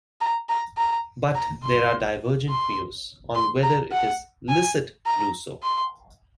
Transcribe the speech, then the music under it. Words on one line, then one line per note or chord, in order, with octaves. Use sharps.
But, there are divergent views on whether it is licit to do so.
A#5
A#5
A#5
A#5
C6
C6
C6
A#5
F#5
G#5
A#5
C6